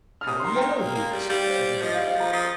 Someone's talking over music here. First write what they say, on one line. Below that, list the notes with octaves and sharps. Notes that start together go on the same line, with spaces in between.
'How yellow he is!' said another.
F6
C3 D#6
C6
D#3 A#5
G5
D#3 A#5
A#3
A#3
G3
G3 F5
C5
F3 D#5
F5
G3
F5
F3 A#5
F3 D#6